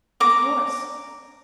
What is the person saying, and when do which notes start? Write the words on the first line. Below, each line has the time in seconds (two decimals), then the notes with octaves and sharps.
'Of course!
0.20 A#5 D6